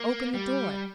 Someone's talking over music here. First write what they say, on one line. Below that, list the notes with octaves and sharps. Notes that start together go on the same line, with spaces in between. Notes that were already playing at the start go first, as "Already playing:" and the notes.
Open the door.
Already playing: A#3
G3